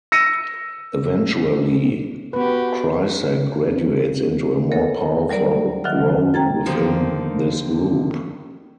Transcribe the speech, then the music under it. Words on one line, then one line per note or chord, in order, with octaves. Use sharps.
Eventually, Krycek graduates into a more powerful role within this group.
E6 A#6 C#7 D#7
B3 F#4 G4 B4
A4 A#4 C#5 D#5
F#3 G3 A#4 D5
D#3 F#3 E5 F#5 F6
G5 A#5 G#6 A6
D3 D#3 F3 A#3